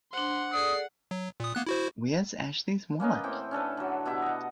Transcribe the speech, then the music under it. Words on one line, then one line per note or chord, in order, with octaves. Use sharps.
Where's Ashley's wallet?
D4 C5 F#5 C6
G#4 A4 D5 D#6 C7
F#3
A#2 D#6
A#3 B3 F#6
E4 F#4 C5
A#3 C#4 B4 D#5
A2 E3 C4 G5
C#4 D4 A4 B4
D3 F#3
B2 E4 G4 E5
D#5 F#5